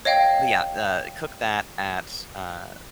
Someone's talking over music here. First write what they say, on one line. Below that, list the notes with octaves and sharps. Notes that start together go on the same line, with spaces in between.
but, yeah, uh, cook that at, uh,
C#5 D#5 F5 G5